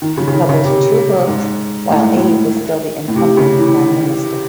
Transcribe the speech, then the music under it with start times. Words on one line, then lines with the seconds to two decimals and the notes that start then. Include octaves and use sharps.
He published two books while Abe was still the incumbent prime minister.
0.02 D#3
0.17 C#3
0.27 C#3
0.33 D#3
0.49 C#3
0.64 C3
1.27 G#2
1.90 A2
2.04 G#2
2.17 A2
3.08 A2
3.16 C3
3.37 C#3
3.58 E3